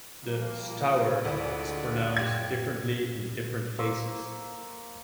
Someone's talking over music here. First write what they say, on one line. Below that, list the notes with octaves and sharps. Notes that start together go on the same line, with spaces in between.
The "Stour" is pronounced differently in different cases.
F3 G3 A#3
D2 D3 G#3 E4 F4 D5
F#2 G4 G#6
A#3 C5 C#6 E6